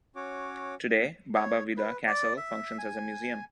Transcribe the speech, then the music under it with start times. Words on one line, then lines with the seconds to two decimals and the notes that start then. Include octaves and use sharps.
Today, Baba Vida castle functions as a museum.
0.16 C#4 F#4 C#5 D6
1.35 C#5
1.77 B4
2.07 D5
2.37 E5
2.78 G#5